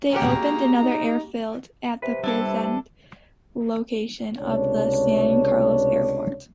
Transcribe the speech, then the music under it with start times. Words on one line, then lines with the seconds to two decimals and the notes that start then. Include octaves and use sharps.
They opened another airfield at the present location of the San Carlos airport.
0.13 G#3 A#3 C#4 F#4 G4 A#5
0.82 D#4
2.02 C3 B4
2.24 G3 D4 E4 A4 B4 E5
4.39 C#2 C3 A3 D4 C#5